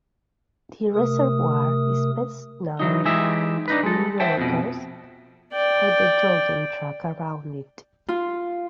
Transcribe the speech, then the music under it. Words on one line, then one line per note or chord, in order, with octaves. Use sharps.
The Reservoir is best known to New Yorkers for the jogging track around it.
C3 A3 A#4 D#6
E3 F#3 D#4
E3 G#3 D#4 E4 G4 E5
D4 D#4 B4
G#3 A4
C5 E5 F#5 G5 A5
F2 B2
D5 G5
F4